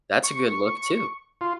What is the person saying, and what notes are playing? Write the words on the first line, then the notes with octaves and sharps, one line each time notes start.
that's a good look too.
C#6
F4